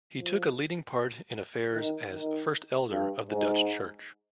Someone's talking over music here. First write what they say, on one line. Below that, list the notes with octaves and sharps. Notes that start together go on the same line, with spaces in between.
He took a leading part in affairs as 'first elder' of the Dutch church.
F3
D#3
D#3
G2
G#2